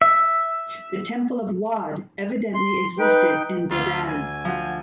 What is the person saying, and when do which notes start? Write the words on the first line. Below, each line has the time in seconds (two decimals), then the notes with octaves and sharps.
A temple of Wadd evidently existed in Dedan.
0.02 E5
2.55 C6
2.99 D#4 B4 G5
3.71 D2 F4
4.08 G#5
4.45 F3 F#4